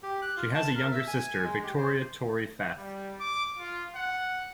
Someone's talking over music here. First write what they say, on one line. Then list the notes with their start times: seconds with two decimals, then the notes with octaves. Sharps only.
She has a younger sister, Victoria "Tori" Fath.
0.03 G4
0.22 F#6
0.37 F4
0.54 A5
0.75 A#4
0.92 E5
1.07 G#5
1.43 G#3
1.63 G4
1.77 C5
2.78 G3
3.21 D6
3.58 F4
3.95 F#5